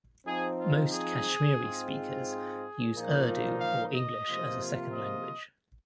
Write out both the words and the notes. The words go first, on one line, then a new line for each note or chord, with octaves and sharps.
Most Kashmiri speakers use Urdu or English as a second language.
F3 C4 D#4 G#4
F4
G#4
G#2 G#3 C4 F4
G#4
A#2 F3 A#3 D#4
F5
D#5
C3 F3 A#3 F4
D#5